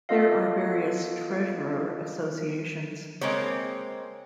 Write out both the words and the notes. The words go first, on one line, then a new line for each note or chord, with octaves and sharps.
There are various Treasurer associations.
B3 F4 A4 D#5 F5
G#3 A#3 C4 C#5